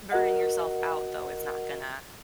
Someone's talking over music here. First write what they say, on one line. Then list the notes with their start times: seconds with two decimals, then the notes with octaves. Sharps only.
burning yourself out though is not gonna
0.11 F#4 A#4 D#5 F#5